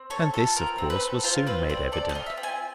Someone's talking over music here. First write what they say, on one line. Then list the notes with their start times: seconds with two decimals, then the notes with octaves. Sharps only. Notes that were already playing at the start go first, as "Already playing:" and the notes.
And this, of course, was soon made evident.
Already playing: C4
0.10 A4 C#5
0.34 F4 A4
0.56 C4 A#4
0.78 C4
0.90 B4
1.02 A4
1.24 F4 C5
1.47 C4 B4
1.69 C4 D5
1.92 A4 D5
2.09 D#5
2.15 F4
2.26 E5
2.37 C4
2.43 G#5